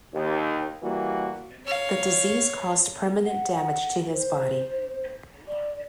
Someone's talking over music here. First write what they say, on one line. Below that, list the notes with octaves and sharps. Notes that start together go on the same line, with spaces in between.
The disease caused permanent damage to his body.
D#2
E3 G3 A#3 F#4
C#5 F5
F#5
C5
D5